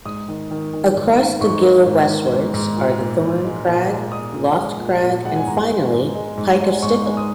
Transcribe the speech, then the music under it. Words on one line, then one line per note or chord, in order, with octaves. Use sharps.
Across the Ghyll westwards are Thorn Crag, Loft Crag and finally Pike of Stickle.
G#2 D#6
D#3
D#3
D#3
G#2
D#3
G#2 C#6
A#3
G#2
D#3
G#2
G#2
A#2
A#2
A#2
G#3
A#2
G#3
G#3 D#6
A#2
G#3
A#2
A#2
G#3 F#5
G#5
G#2 A#5
G#3
G#2
G#3
G#2
G#3
G#2 C#6
G#3
D#6